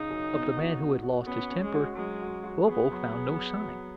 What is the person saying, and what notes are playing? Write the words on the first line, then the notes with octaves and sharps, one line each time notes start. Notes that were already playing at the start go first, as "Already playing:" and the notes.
Of the man who had lost his temper, Bobo found no sign.
Already playing: C#3 D#4
F#2
B3
F#4
F#4
F#4
B3 C#4
C#4
G#3
F#4
F#3 G#3
F#4
F#4
B3 G#4
F#3
G#4
F#3
F#3